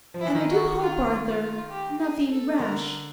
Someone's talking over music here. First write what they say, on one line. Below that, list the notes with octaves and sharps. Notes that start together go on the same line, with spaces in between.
'And I do hope Arthur--nothing rash!'
F3
E4
E3
D#3
F#4
F4
F4
G4
G#4
A4
D3 A#4